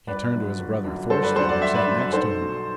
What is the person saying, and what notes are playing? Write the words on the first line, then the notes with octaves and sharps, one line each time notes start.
He turned to his brother Thorstein who sat next to him.
G1 B4 D5
F#2 D3
G1
F#2 D3
G1 A4 C5
B4 D5
F#2 D3 A4 C5
D5
G1 E5
B4 D5
F#2 D3
B1 A4 C5
B2 F#3